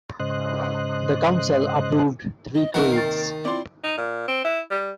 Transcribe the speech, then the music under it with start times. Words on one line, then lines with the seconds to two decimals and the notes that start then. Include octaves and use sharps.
The council approved three creeds.
0.20 G#2 C#3 C5 D#5 F#6
2.55 D#5
2.74 A#2 D#3 A#4 B4 E5 F#5
2.92 D#2 C3 C#6 A6 C7
3.45 C4 E4 F4 D5 C6
3.84 D#4
3.97 A#2
4.28 C4
4.44 E4
4.70 G3